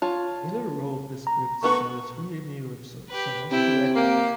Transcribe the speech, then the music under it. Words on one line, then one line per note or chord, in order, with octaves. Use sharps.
Naylor wrote the scripts for the three new episodes and also directed them.
F4 C#5 A5
A#5
A3 B3 B4 C#6
G4 B4
C3 E4 G5
A#3 G4